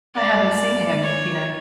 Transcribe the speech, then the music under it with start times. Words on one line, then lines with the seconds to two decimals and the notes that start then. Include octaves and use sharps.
I haven't seen him, you know.
0.14 D5
1.02 C#5